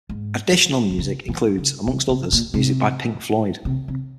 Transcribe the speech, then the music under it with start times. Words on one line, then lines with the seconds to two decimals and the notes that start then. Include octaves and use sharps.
Additional music includes, amongst others, music by Pink Floyd.
0.09 G#2
0.91 C3
0.99 C#3
1.28 E3
1.58 C#3
1.87 C3
2.09 C3
2.32 A#2
2.54 C3
3.65 C3
3.88 C3